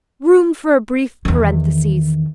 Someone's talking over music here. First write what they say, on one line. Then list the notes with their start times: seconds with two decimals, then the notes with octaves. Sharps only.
Room for a brief parenthesis.
1.25 E2 D#3